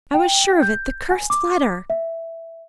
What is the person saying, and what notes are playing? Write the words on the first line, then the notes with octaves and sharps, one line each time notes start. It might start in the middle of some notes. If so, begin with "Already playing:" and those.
"I was sure of it--the cursed letter!"
G5
G6
G#5
D6
E5